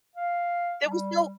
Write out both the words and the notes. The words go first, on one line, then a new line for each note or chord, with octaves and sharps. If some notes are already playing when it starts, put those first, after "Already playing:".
there was no"
F5
G3